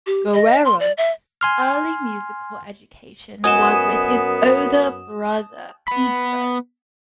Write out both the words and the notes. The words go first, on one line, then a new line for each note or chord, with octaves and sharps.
Guerrero's early musical education was with his older brother Pedro.
G4
D#5
C6
D5
E5
G#5 C6 F6
F#2 B3 F#4 D#5 G#5 D#6 E7
B3 B5